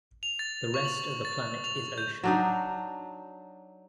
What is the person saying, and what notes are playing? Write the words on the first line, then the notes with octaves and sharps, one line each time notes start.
The rest of the planet is ocean.
F7
A6
C#6
F#7
A6
F7
G6
F#3 D4 D#4